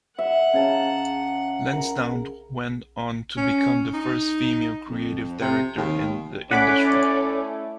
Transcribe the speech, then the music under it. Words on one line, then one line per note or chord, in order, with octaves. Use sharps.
Lansdowne went on to become the first female creative director in the industry.
E5 F#5
C#3 A5 A#5
A#4
C#4
D#4
F2
C3
D#2
A3 C#4 E4 D5 F#5 B5 D6